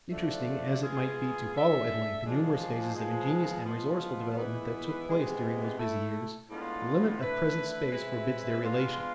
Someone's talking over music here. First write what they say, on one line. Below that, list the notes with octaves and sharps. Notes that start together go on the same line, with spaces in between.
Interesting as it might be to follow at length the numerous phases of ingenious and resourceful development that took place during those busy years, the limit of present space forbids their relation.
D3 F3 A3 D4
G#3 B3 F4 G#4
G#3 D4 A4 E5
F3 G#3 D4
F3 G#3 B3
F3 G#3 B3 F4
E3 G#3 B3 E4 B4
C3 G#3 B3
A3 E4 A4
A2 G#3 B3 D4 F4
D3 A3 E4 B4
G#3 C4 E4 B4 E5
G#3 B3 D4 F4